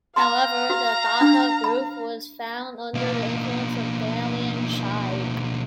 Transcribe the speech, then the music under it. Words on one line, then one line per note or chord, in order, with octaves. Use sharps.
However, the Dahe Group was found under the influence of Dalian Shide.
F5 A#5 C6
F#4
D4
B5
B1 A#3